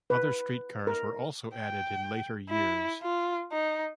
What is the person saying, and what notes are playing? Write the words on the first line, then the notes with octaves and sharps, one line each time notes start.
Other streetcars were also added in later years.
B4
A#4
G5
E4
F4
D#4